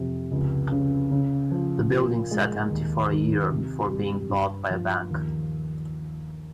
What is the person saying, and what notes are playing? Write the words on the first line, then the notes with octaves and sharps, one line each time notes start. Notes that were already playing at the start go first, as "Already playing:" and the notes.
The building sat empty for a year before being bought by a bank.
Already playing: F2 C3
C#2
C#3
C#3
F3
A#2
G#3
D#2
D#3
C3
G3
G2
F3
D#2